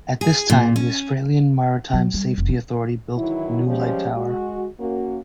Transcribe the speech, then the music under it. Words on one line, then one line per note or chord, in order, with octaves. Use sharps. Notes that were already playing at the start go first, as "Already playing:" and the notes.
At this time the Australian Maritime Safety Authority built a new light tower.
G#4
A#2
C#4
F#3
G3
F1
C#4
D#3 E3 F#3 E4
F3 G3 G#3 C#4 F4 G4
G#3 F#4
A#3 C#4 F#4